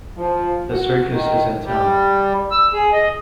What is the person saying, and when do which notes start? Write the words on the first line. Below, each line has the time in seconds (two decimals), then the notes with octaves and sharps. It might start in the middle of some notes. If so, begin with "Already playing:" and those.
The circus is in town!.
0.17 F3
0.70 F#4
1.11 D#3
1.64 G3
2.51 E6
2.73 G#4
2.92 D#5